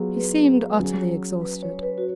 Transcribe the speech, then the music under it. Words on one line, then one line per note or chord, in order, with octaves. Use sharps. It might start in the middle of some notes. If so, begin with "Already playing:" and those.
He seemed utterly exhausted.
Already playing: F#3 B3 F4 G#4
B4
F#3 C#4 G#4
B4
C#5
B4
F#4